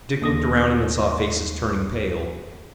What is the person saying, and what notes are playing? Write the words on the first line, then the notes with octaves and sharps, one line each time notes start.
Dick looked around him and saw faces turning pale.
D#2 D#6 A#6